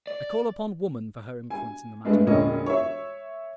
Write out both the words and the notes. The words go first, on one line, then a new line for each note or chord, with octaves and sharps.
I call upon woman for her influence in the matter.
D5
G#5
G2 G#3 A3 B3 D4
E1 A#2 D3 C#4 D#5
C#5 E5